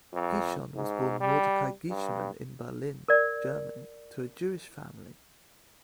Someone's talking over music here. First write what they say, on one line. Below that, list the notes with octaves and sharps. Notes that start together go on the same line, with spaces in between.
Gichon was born Mordechai Gicherman in Berlin, Germany, to a Jewish family.
F2
G#2
G3
G2
A#4 D5